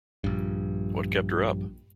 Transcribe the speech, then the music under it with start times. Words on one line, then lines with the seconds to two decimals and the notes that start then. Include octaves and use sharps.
What kept her up?
0.24 A#1 G2